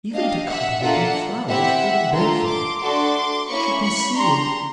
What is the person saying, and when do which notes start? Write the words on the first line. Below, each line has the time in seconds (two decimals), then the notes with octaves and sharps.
"Even to cultivating flowers for their benefit," she conceded.
0.14 D4 G4 D#5 F5
0.48 E5 F#5
0.81 A#3 D4 F4 A4 E5 F#5
1.48 C4 E4 G4 E5 F#5
2.16 A3 D4 F4 A4 A#5 C6
2.49 C6 D6
2.82 A3 D4 F#4 A4 C6 D6
3.49 A#3 C#4 E4 B5 C#6
3.83 B5 C#6
4.16 D4 G4 A#5 C6